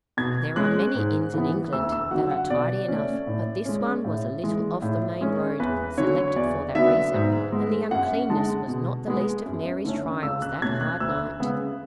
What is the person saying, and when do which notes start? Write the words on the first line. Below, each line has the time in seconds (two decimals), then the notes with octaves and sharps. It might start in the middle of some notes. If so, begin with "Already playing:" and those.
There are many inns in England that are tidy enough, but this one was a little off the main road--selected for that reason--and the uncleanness was not the least of Mary's trials that hard night.
0.17 B2 G#6
0.56 G#3 C#4 F#6
0.95 G#2
1.34 E3 B3
1.73 D2 E6
1.92 E6
2.11 D3 F#3 F#5
2.31 F#5
2.50 B2 D5
2.88 A3 C#4
3.27 A2
3.65 G#3 C#4
4.04 A2
4.43 E3 G#3
4.82 A2
5.21 G#3 C#4
5.59 E2 B4
5.98 D3 F#3 C#5
6.36 E2 D5
6.75 D3 F#3 B3 E5
7.14 G#2
7.52 G#3 B3
7.91 F#2 F#5
8.30 D3 G#3 A5
8.68 B2
9.07 G#3 B3
9.46 F#2
9.85 D3 A3 C#4
10.23 C#2 E6
10.42 F#6
10.61 B2 A3 C#4 G#6
10.81 F#6
11.00 D2 E6
11.40 C#3 G#3 B3